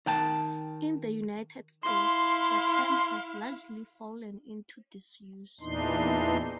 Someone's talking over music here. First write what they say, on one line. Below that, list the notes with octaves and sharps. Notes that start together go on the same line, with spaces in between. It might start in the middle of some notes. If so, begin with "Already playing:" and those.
In the United States, the term has largely fallen into disuse.
D#3 G5 A5
E4 F5 C6
E2 A#2 E3 D4 D#4 C6